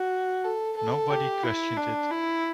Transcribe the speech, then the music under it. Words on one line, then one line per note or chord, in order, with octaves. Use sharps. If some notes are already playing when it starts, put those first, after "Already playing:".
Nobody questioned it.
Already playing: F#4
A4
A4
G4
E4
D4
E4